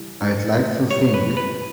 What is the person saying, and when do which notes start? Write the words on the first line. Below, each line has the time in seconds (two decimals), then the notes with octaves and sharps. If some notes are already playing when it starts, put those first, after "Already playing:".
I'd like to think.
Already playing: E3 G3
0.20 D4
0.55 E3
0.90 G3 C#5
1.14 B4
1.26 E3
1.37 B4